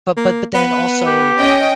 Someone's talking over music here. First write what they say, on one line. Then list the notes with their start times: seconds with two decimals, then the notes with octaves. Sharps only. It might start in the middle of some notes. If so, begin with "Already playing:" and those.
but but but then also
0.17 A#3
0.54 B3 B4
1.06 G4
1.39 C#4 D#5 G5